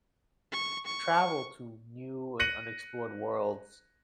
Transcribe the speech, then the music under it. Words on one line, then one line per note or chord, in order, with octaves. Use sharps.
travel to new and unexplored worlds
C#6
C#6
F#6 A#6 C#7 D#7 F#7